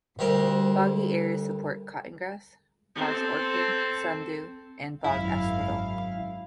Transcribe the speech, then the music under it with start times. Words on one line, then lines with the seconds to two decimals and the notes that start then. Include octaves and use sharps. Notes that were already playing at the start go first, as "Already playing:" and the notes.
Boggy areas support cotton grass, marsh orchid, sundew and bog asphodel.
0.19 D2 G3 A#4 C5
2.95 C4 A4
5.04 G#1 F#2 E4 F5